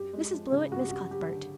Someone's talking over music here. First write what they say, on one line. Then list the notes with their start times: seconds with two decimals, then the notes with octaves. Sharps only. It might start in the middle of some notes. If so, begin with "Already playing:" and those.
Mrs. Blewett, Miss Cuthbert.
Already playing: F#2 G4
0.13 G#3
0.33 F3
0.52 C#3
0.71 G2 F#4
0.81 G4
0.89 G2 F#4
1.11 F#3 G4
1.31 D3